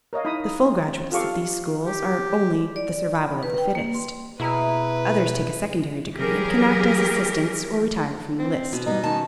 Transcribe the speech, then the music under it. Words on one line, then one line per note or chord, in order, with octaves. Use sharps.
The full graduates of these schools are only "the survival of the fittest." Others take a secondary degree and can act as assistants or retire from the list.
A#4 C#5 D#5 F5
D#4 E4 B5 D#6
F4 G4 A4 F5 C#6 D6
G4
D5
B5
B4
G5
A#3
C6
B2 E4 G#4 B4 A#5 F6
E3 F#3 G4 G#4 A#4
C4
B2 G#5
G3 B3 D#4 D#5
D#3 C#4 A5